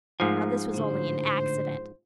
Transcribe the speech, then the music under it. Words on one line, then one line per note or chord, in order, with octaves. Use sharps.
Now, this was only an accident.
G#2 F3 A3 A#4 G#5
A2 D3 C5